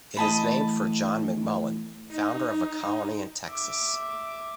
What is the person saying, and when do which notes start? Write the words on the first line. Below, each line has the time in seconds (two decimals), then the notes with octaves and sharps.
It is named for John McMullen, founder of a colony in Texas.
0.17 E2 A2 D#5 A5 B5
2.10 D#4
3.48 E5 D6